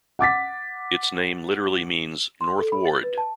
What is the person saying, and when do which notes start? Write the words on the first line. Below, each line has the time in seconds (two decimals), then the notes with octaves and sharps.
Its name literally means "North Ward".
0.19 F#5 D6 A6 B6
2.41 C6
2.59 A4
2.72 B5
2.85 A6
3.04 B4
3.18 A5